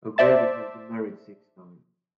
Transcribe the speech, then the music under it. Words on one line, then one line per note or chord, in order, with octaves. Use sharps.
O'Grady has been married six times.
C5 D5 E5 A5